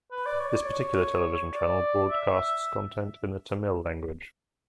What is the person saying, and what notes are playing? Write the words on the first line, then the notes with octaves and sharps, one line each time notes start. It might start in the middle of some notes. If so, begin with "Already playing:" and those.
This particular television channel broadcasts content in the Tamil language.
B4
D5
C#5
D5
C#5
D5
E5